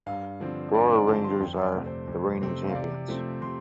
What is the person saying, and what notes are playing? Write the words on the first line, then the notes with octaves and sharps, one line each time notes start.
Brora Rangers are the reigning champions.
G2 F5
D3 F3 C4
G2 D5
D5
D3 F3 C4 A5
C6
F2 G5
D5
C3 A3 C4
C5
F2
C3 A3 C4
F5
C3 D5
F3 A3 C4
C3 C6